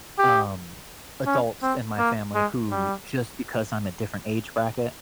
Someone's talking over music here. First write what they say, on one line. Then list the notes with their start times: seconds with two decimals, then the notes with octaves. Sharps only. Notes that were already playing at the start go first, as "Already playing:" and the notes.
um, adults in my family who just because I'm a different age bracket,
0.18 G4
1.27 C#4
1.62 C4
1.99 A#3
2.35 G#3
2.71 G3